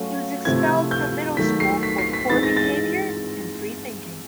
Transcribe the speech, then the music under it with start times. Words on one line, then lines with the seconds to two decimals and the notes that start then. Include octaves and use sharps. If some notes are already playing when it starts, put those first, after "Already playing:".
He was expelled from middle school for poor behavior and free-thinking.
Already playing: F#3 A3 C#4 F4
0.45 C3 F3 A3 C4 E4 G#6
0.91 G6
1.37 D#3 F#3 A3 B6
1.60 C7
1.83 B6
1.98 C7
2.13 B6
2.29 E3 G#3 C4 D#4 A6
2.43 A#6
2.57 A6